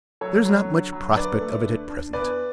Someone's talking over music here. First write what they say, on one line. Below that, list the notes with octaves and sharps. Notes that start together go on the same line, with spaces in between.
There is not much prospect of it at present.
F#3 A4 C#5
F#3
D3
F#3
D3 B4 D5
A3
D3
D4
E2 B4 D5